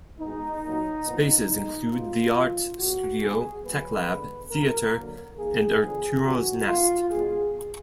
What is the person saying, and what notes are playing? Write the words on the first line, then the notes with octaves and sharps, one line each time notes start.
Spaces include the Art Studio, Tech Lab, Theater, and Arturo's Nest.
B2 G#3 B3 D#4
A#2 F#3 A#3
A#2 F3 B3
A#2 G#3 B3 D#4
B2 G#3 B3 F4
D#3 F#3 A#3
A#2 F3 G#3 F#4
B2 G#3 B3 G#4
D3 F#3 A#3 B4
D3 G#3 B3
B2 A#3 A#4
D3 F#3 A#3
D#3 A#3 G#4
D3 F3 B3 G#4
D3 F3 B3 F#4
D#3 A#3 F4
B2 G#3 B3 G#4